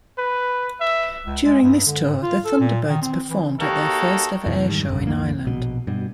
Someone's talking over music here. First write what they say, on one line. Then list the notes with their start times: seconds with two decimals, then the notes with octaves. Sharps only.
During this tour, the Thunderbirds performed at their first-ever air show in Ireland.
0.18 B4
0.80 E5
1.26 C#2
1.45 G#3
1.63 G2
1.86 D3
2.06 G#2
2.22 F4
2.45 A4
2.60 A#2
2.89 D#3
3.02 C4
3.29 E3
3.60 A#3 D#4 F#4 G4 A4 C#5
4.46 F2 A2 C3 E3
4.69 F2 G#2 D#3 G3
4.88 F1 A#1 G2 D3
5.07 C#2 F#2 E3 A#3
5.45 A#1 B2
5.87 G2 B2